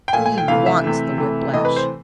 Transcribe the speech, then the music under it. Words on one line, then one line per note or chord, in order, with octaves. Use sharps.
He wants the whiplash.'
G5
A#2 F3 A3 G#5
G#5
G5
C3 E3 A3 F5
E5
C3 E3 A3
C3 E3 A3
C3 E3 A3 D#5
B4
C5